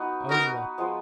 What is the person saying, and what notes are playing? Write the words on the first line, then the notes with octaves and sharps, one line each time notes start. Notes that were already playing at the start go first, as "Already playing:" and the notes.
Own what?
Already playing: B3 D#4 F#4 B4
B3 D#4 F#4 A#4 B4
F3 G#3 B3